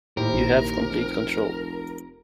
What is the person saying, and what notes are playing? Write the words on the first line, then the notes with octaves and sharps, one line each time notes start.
You have complete control.
D#2 A2 E4 G4 A#4 C5
A#1
F1